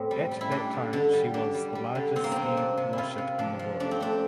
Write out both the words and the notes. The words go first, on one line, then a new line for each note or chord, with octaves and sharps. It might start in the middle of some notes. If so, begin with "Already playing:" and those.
At that time she was the largest steam warship in the world.
Already playing: A2 C4
G3
G3
E4
G3 D4
D3
D3
G3
D3 D4
G3
G3
D3
C3 C4
A#3
C3 C4
C3 D4
C3
E4
C3 F4
C3
F3 D4
F3
A3 D4
C4
A3 D4